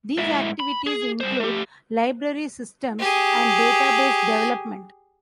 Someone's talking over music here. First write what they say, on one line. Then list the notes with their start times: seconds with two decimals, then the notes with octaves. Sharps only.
These activities include library systems and database development.
0.19 G#2 E4
0.60 B5
0.87 G#4
1.20 G3 C5
1.40 A3 G4
2.99 G4 G#4